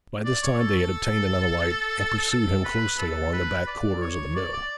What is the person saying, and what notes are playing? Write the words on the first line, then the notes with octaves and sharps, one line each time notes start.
By this time they had obtained another light, and pursued him closely along the back quarters of the mill.
D5
C#5
A4
A4
A4
B4
A4
B4
D5
C#5
D5
D5